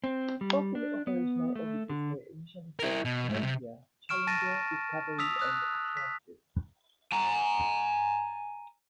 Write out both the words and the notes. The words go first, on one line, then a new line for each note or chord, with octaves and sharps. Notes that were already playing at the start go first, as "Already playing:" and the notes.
Four fully operational orbiters were initially built: "Columbia", "Challenger", "Discovery", and "Atlantis".
C4
G3
D4
B3
A3
D3
E4 A#4
B2
G#2 A3
C3 C4
C#6 F6 D7 E7
A5 A6 A#6 D#7
D#6 E6 B6 F7
D#6 F#6
B6
G#5 A#5